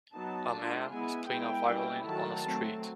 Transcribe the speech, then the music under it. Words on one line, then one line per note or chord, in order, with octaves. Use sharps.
A man is playing a violin on a street.
F#3 B3 D#4 A5
A3 D4 F4
G#3 B3 E4 G#5
G#3 B3 E4 G5
G3 A#3 C#4 E4
D#3 F#3 A3 A5
F#3 A3 C4